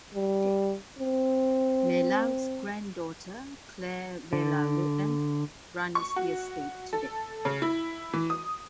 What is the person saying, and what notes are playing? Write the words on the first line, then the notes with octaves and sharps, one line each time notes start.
Merlaut's granddaughter, Claire Villars-Lurton, runs the estate today.
G3
C4
D3
C#6
F#4
A4
C#3
E4
E3
D#6